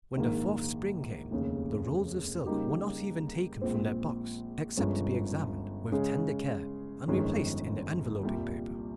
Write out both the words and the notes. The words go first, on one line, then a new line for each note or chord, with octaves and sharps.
When the fourth spring came the rolls of silk were not even taken from their box except to be examined with tender care and replaced in the enveloping paper.
A#1 G#2 D#3 A#3
F1 D#2 C#3
C#3 G3 A#3 D#4 G4
A#1 A#2 G#3 C4
G1 G2 F3 G#3 C#4
C#3 G#3 C#4 G#4
G1 F2 D#3 G#3 C#4
C2 A#2 G3